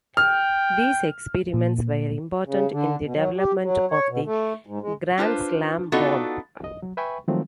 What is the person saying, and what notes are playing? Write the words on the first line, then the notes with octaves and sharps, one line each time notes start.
These experiments were important in the development of the Grand Slam bomb.
G5 F6
A#2
C#3
D3
B2
F#3
G4
F#3
C#5
B2
A3
G#2
G#3
D4 F4 B4 C5
B3 D4 D#4 F4 F#4 A4
D#5
F#3
B4 E5 G5 G#5 B5 C#6
D#3 F3 F#3 G#3 A3 C4